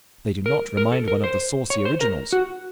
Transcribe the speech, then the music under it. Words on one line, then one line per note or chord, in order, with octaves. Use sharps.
They do not remind one of the saucy originals.
A#4
A#4
A4
A#4
C5
C#5
C5
A#4
F#4